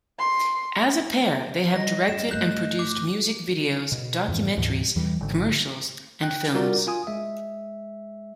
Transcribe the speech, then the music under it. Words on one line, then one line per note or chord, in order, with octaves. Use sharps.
As a pair, they have directed and produced music videos, documentaries, commercials and films.
C6
G3 D#5 A#6
F#2 E7
G2 A3 D#5 F#6 G6
D6
B2
F2 G#2 E3
D2 G#2 B2 E3
E2 E3 G3
G#1 D3
G5 F#6
G3 D4 F4 F#4 A#4 D5
F4 G#5 D#6
G#3 E5